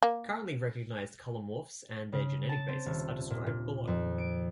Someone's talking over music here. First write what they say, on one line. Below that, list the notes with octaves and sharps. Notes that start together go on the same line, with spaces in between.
Currently recognized colour morphs and their genetic basis are described below.
A#3
C#3
A5
C4
D#1
A#2
A#2
F2
D7